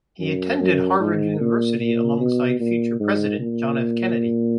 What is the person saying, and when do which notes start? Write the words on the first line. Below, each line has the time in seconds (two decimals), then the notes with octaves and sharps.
He attended Harvard University alongside future president John F. Kennedy.
0.20 F#2
0.60 F#2
1.00 G#2
1.40 A#2
1.80 A#2
2.19 B2
2.60 A#2
3.00 G#2
3.40 A#2